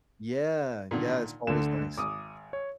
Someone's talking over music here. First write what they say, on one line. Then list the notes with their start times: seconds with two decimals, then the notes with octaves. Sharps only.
Yeah, yeah it's always nice.
0.91 A#2 D3 D#3
1.47 D2 D3 E7
1.98 G#1 D6 D#6
2.53 C#5